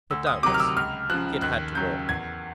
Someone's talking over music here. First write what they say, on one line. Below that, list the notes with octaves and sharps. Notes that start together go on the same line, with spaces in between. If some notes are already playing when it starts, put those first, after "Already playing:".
But, doubtless, he had had to walk.
D2 E6
D#6
C3 D#3 F#3 D6
F6
E6
C#2 F6
C#3 F3 F#6
D#2 F#6
C#3 F#3 G6
E2 G#6